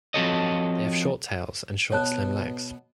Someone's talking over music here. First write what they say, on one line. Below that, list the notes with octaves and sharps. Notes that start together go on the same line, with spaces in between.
They have short tails and short slim legs.
F3 C4 F#4 A4 C#5 D#5
B2 C#5 A5 F#6